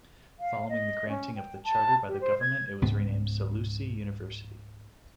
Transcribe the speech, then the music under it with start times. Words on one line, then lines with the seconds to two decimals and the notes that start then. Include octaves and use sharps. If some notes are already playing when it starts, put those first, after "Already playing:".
Following the granting of the charter by the Government it was renamed Solusi University.
0.40 F5
0.69 D#5
1.09 C#4
1.36 G5
1.64 A5
2.08 G4
2.21 C5
2.41 G#6
2.82 C#2 G#2 B3